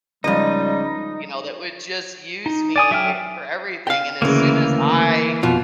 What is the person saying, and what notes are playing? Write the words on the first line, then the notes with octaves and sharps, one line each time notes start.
you know, that would just use me for everything and as soon as I
C#2 F3 G3 D#4 D#5
D#4
D5 G#5 D#6
F#3 E5 G5 G#5 F6
F5 G5
D2 C#3 E3 A#3
F2 B2 F4